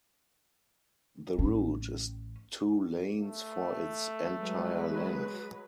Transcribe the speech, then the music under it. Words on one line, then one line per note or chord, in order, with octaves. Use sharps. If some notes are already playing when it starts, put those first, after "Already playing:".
The route is two lanes for its entire length.
A1 C#4
A3
F#3 G#3 B4